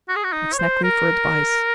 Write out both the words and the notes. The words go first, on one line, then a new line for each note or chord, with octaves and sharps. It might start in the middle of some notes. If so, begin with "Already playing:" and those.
McSnagley for advice.
F#4
G#4
F#4
D#4
C#5
C5
A#4